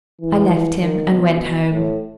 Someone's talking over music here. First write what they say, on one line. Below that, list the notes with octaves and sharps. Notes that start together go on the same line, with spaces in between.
I left him, and went home.
E3
D#3
B2
A2